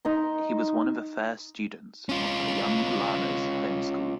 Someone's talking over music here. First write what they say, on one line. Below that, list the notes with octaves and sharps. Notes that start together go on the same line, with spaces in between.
He was one of the first students of the Young Lamas Home School.
D#4 A#5 C6
C#4 F4